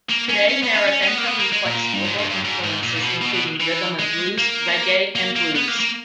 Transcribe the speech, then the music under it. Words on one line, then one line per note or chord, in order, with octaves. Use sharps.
Today, Marrabenta reflects global influences, including rhythm and blues, reggae, and blues.
A#3
C#4
C#4
B3
C#4
C#4
C#4
B3
A#3
B3
A#3
G#3
A#2
G2
G#2
G2
G2
G#2
G#2
A#2
A#2
B2
B2
B2
E3
G#3
A#3
A#3
A#3
B3
A#3
A#3